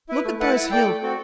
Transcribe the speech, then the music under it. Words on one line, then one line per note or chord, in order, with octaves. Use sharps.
Look at those hills!
E4 B4
A3
E4 B4 F#5 A5
E4
A4 D5 G5
A3
C4 F#4 A4